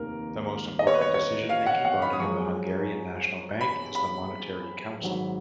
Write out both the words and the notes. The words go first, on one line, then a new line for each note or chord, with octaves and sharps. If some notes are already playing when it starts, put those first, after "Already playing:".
The most important decision-making body of the Hungarian National Bank is the Monetary Council.
Already playing: F1 D#2 D#3 A#3 A#4
D#5
C#5
B4
C#5
C#5
F5
F#5
F#5
B5
D#6
F#2 F3 G#3 C#6
B5
B5
G#1 G#2 F#3